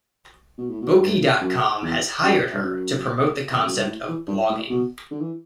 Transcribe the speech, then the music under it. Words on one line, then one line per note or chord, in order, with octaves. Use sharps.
Bokee dot com has hired her to promote the concept of blogging.
B2
A2
B2
G2
F#2
E2
F#2
G2
F#2
E2
F#2
G2
A2
E3
G2
A2
B2
D3
E3